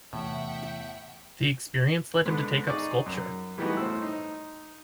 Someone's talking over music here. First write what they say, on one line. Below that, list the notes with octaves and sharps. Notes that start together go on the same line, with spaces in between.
The experience led him to take up sculpture.
E2 A2 C3 E3 A3 E5 F#5 G5
G#2 D3 B3
D#4 G#4 D5 C#6
F#2
E3 G3 A3 B3 D#4 F#4
A2 C5 E6
D#4